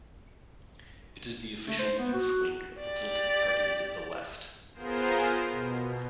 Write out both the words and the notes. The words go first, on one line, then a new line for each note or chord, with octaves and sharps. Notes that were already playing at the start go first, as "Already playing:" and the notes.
It is the official youth wing of the political party The Left.
A3
C5
B3
F#4
G4 D5
B3 F4 G#4 A#4 C5
B2